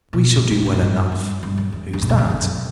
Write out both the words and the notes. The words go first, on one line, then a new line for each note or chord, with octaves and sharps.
We shall do well enough.--Who's that?'
B2
A2
A2
G2
A2
F#2
G2
F#2
G2
G2
F#2
E2
G2
A2
B2
C#3
D3
C#3
F#2